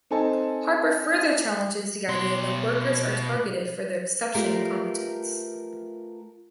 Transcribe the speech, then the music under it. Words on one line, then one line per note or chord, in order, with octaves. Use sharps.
Harper further challenges the idea that workers are targeted for their exceptional competence.
C4 D#4 A4 G#5 A5
B2 C6
A3 F4 G4 A#4 B4 E5